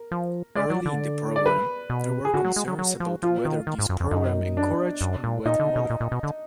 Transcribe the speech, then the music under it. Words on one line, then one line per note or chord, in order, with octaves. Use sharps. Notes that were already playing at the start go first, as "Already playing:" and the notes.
Early in the program, there were concerns about whether this program encouraged unwed motherhood.
Already playing: A#4
F3
G#3 D5
F#3
D3
D5
B4
B2
G#4
D3 F#4
F#3
G#3
F#3
F#3
F3
F3 F4
D#3
D#3
G#2
F#2
F2
F#2 D#4
D4
F#2
A#2
A#2 D#4
D3
B2
A#2
A#2
B2
D3